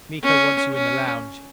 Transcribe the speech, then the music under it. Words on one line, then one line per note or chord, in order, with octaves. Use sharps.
"Miko wants you in the lounge."
C#4
C#4